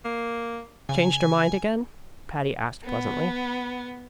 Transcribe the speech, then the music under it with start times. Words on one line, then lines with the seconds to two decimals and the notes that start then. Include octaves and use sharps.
"Changed her mind again?" Patty asked pleasantly.
0.05 A#3
0.89 C#3 G#5
2.84 B3